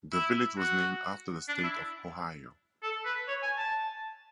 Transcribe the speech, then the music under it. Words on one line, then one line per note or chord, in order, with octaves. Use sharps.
The village was named after the state of Ohio.
E4
F#4
D4
E4
A4
B4
C#5
G#5
A5